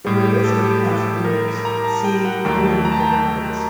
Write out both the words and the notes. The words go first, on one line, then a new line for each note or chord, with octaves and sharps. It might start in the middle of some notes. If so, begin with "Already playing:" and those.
For a list of past winners, see Cohen Awards.
A2 G3
G4
A4
G4
A4
A#4
A#5
A5
G5
F#5
D#2 D#3 F#3 A3 G5
A5
A#5
A5
G5
A5